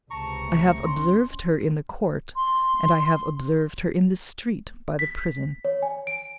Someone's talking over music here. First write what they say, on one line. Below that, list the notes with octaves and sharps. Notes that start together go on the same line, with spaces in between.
I have observed her in the court, and I have observed her in the street by the prison.
C#2 C3 A5 A#5 C#6
A3
C#4 C6
C6
B6
C#5
G#5
D7